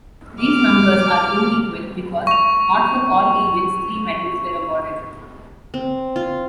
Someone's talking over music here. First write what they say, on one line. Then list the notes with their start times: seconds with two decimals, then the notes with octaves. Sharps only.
These numbers are inequal, because not for all events three medals were awarded.
0.43 D6 F6
2.27 C#6 F7
5.74 C4
6.16 F4